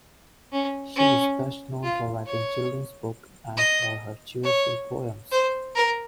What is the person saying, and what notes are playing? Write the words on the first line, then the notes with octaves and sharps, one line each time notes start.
She is best known for writing children's books, and for her cheerful poems.
C#4
C#4
F4
C#5
D#5
C#5
C5
A#4